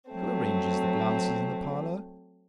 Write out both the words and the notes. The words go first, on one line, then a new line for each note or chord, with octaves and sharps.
Who arranges the glasses in the parlor?
F#3 A3 C4